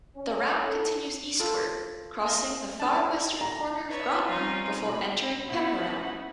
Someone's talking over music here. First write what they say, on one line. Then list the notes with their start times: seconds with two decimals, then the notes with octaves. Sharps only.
The route continues eastward, crossing the far western corner of Groton before entering Pepperell.
0.16 C#4
0.62 A4
1.40 F4 A4
2.24 D#5 F5
2.80 D4 A5
3.41 A#5
3.90 B4 C#5 E5 A5
4.28 G3 C4 C#4 D#4 F4
4.79 B2 B5
5.47 B3 C#4 D#4 E4 F#4 F#5